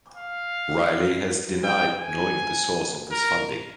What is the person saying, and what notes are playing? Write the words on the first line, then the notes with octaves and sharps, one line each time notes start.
Riley has denied knowing the source of this funding.
F5
G5
G#5
A#4